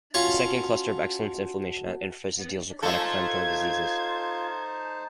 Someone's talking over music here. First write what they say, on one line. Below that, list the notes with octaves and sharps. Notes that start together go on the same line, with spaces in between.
The second Cluster of Excellence "Inflammation at Interfaces" deals with chronic inflammatory diseases.
C#4 F4 F#4 F#5 A5 C#6
A3 D#4 F4 A4 C5 A5 G#6